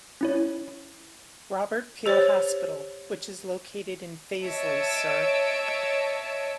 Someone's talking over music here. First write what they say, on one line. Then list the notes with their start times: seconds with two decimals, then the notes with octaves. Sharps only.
Robert Peel Hospital which is located in Fazeley, Sir.
0.21 C#4 E4 C#5
2.06 G4 C5 C#5
4.44 C#5 D#5 E5 A5 E6 D7